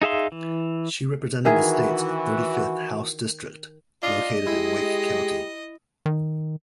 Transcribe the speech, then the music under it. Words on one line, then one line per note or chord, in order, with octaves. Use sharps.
She represented the state's thirty-fifth House district, located in Wake County.
D#4 G#4 E5 F5 C6
E3
D#3 E3 E4 F#4 G#4
D4 F4 D#5
G#3 E4 G4
D#3